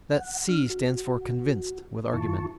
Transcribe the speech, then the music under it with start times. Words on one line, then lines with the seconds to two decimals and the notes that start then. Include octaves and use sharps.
That 'C' stands for 'convinced,' with argument.
0.13 F#5
0.49 D4 F6
0.70 F#4
2.13 F#2 D#3 E4 F4 A5 C#6